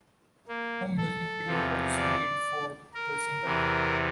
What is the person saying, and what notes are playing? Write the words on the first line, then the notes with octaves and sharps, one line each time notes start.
No music video was made for the single.
A#3
A4
E2 C3 F3
D5
A#4
E2 C3 E3